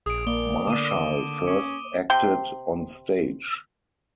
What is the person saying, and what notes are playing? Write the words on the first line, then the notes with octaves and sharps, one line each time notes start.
Marshall first acted on stage.
A#1 G#4 D#6 D7
A#3 D5 G7
D3 D6 D#7
C#4
C3 G5 C6